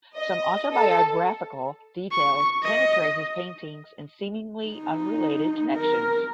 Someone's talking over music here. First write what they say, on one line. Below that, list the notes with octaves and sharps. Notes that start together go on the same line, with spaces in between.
Some autobiographical details penetrate his paintings in seemingly unrelated connections.
D#5
A4
C#6
D#5
D#4
A#4